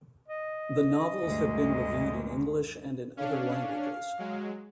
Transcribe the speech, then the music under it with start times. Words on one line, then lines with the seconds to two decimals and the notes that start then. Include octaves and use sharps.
The novels have been reviewed in English and in other languages.
0.28 D#5
1.23 D2 G2 G#3
3.17 C#4 D4 F5
4.19 F#3 G#3